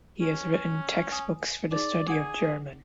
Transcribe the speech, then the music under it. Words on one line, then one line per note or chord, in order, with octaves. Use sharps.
He has written textbooks for the study of German.
C#4
G#5 D#6
D#4 G#4 D5
G#4 D5 F#5 D6